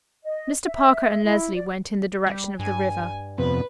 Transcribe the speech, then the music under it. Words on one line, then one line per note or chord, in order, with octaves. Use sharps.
Mr. Parker and Leslie went in the direction of the river.
D#5
E5
E4
D5
G3
G2 G#5
F2 C3 B3 B4